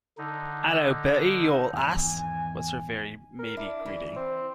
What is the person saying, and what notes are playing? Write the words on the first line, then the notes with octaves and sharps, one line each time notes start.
"Hallo, Bertie, you old ass," was her very matey greeting.
D3 D#4
E2 G#2 D#3 G#5
A#4
D4 E4
E3
C4